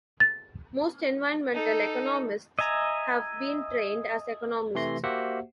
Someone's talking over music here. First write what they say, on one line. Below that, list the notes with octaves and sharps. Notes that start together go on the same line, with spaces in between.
Most environmental economists have been trained as economists.
A6
D#4 A4
D#5 E5 G#5 A#5
C3 E3 A3 C6 A#6
A#3 F#4 G4 C5 E5 F#5